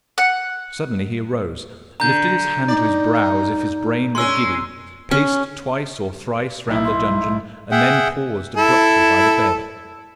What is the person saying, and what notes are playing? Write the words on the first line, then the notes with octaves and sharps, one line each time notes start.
Suddenly he arose, lifted his hand to his brow as if his brain were giddy, paced twice or thrice round the dungeon, and then paused abruptly by the bed.
F#5
D3 A#5 G6
D#4 D5
G#3 C#4 C6 E6
C#4
B1 D#4 E4
C6
G#4 E5 F#5 G5
E4 A4